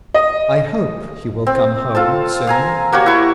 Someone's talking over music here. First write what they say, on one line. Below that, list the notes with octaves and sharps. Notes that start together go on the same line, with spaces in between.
I hope you will come home soon.
D#5
C4
F4 A4 A5
F5 G#5 A#5
A#3 F#4 G4 C#5
E4 C#6